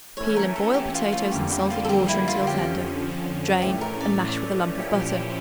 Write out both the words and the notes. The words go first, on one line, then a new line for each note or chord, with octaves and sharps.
Peel and boil potatoes in salted water until tender; drain and mash with a lump of butter.
E3 A3 C#4 C#5
A#4
A4
G4
F4
F4
F2 D3 G3 A#3 G4
G4
F4
A4
G4
E4
F4
F2 D3 F3 C#4 G4
A2 E3 A3 C#4 G4
A#4
D5
A#2 F3 C#4 E4 G4